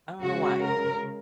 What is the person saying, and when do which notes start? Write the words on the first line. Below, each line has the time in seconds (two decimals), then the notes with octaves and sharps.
I don't know why.
0.22 C#3 G#3 F#4
0.62 A#4